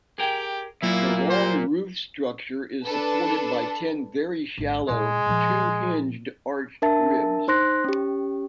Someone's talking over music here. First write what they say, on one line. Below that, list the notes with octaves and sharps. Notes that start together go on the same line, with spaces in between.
The long roof structure is supported by ten very shallow "two-hinged" arched ribs.
G4 G#4 A#4 G5
A#2 F#3 A#3 E4
C5
D4 A4 B4 A5
G#1 D3
A#2 G#3 E4
A#2 F3
D4 A#4 E5 A5 A6
D#4 C5 C6 F#6 A#6
C#4 G4